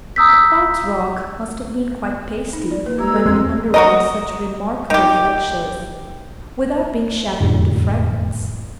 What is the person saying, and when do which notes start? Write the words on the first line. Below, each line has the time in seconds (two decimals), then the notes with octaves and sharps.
The quartz rock must have been quite pasty when it underwent such remarkable flexures without being shattered into fragments.
0.16 A#5 D#6 E6 G6 B6
2.53 D#4
2.71 D5
2.86 A#3 B4
2.98 G3 G#3 G4 A#5 E6 G#6
3.13 A4
3.26 E2 G#3 C4 F#4
3.74 F#4 A#4 D#5
4.90 D#3 G4
7.40 E1 F2 A2 D3